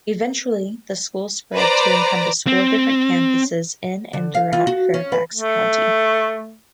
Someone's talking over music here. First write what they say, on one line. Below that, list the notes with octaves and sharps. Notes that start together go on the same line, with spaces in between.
Eventually the school spread to encompass four different campuses in and throughout Fairfax county.
B4 C5 D5 A#5
C4
D3
F5
F4
F#4
C#4
B4
A3